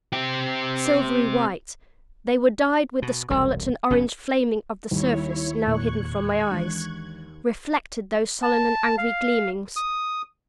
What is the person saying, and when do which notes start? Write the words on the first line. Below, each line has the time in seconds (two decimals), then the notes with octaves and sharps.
Silvery white, they were dyed with the scarlet and orange flaming of the surface now hidden from my eyes; reflected those sullen and angry gleamings.
0.13 C4 G4
3.02 B2
3.30 E1 C2
3.90 F#1 A2 C#4
4.91 D#2 G3 E4 C#5
5.66 E1 A#2 A#3 C#6 F#6 G#6
6.51 E3 G#3 D4
8.43 A5
8.98 F5
9.76 D#6